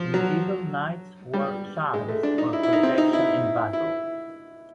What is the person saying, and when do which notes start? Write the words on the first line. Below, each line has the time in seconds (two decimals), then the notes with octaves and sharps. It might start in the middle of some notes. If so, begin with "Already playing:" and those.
Medieval knights wore charms for protection in battle.
Already playing: F3
0.14 F#3
1.34 G3
1.94 G#3
2.08 A3
2.23 D4
2.38 D#4
2.53 E4
2.63 E4
2.73 D#4
2.83 C4
2.98 D#4
3.13 E4
3.73 E4